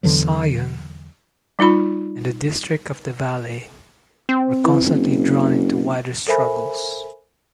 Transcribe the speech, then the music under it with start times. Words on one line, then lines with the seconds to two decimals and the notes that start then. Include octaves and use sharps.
Sion and the district of the Valais were constantly drawn into wider struggles.
0.03 E2 D3 E3 F#3
1.59 G3 D#4 F4 B5
4.29 C4
4.65 E3
4.86 F#1
6.28 A4 A#4 C5 E5 G#5 B5